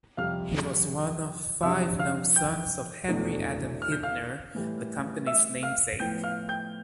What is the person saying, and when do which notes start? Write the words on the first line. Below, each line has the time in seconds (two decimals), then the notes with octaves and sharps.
He was one of five known sons of Henry Adam Hitner, the company's namesake.
0.17 F2 C3 G3 F5 F6
1.63 F2 C3 G3 D4 E5 E6
1.99 F5 F6
2.36 G5 G6
3.08 E2 B2 A3 D4
3.82 F6
3.92 G6
4.03 F5 F6
4.55 A2 E3 G3
5.27 E5 E6
5.63 F5 F6
6.00 A2 F3 B3 G5 G6
6.24 F5 F6
6.49 G5 G6